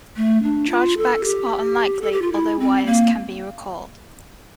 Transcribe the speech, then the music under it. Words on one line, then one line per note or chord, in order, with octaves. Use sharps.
Chargebacks are unlikely, although wires can be recalled.
A3
D4
F4
A4
G4
A4
G4
F4
E4
C4
A#3